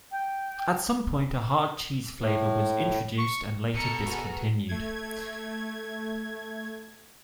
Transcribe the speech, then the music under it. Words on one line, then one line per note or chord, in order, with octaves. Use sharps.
At some point a Hard Cheese flavour was introduced and later discontinued.
G5
A2
C#6
B2 A4 A#4 C#7
B3 F#4 G#4
A3 G#6